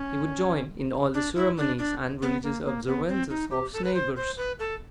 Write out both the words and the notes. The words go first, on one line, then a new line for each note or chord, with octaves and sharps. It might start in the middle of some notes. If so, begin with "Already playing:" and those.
He would join in all the ceremonies and religious observances of his neighbours.
Already playing: C#4
D4
E4
D4
D4
B3
A#3
A#3
B3
C4
D#4
G4
A4
B4
C5
C5
B4
A4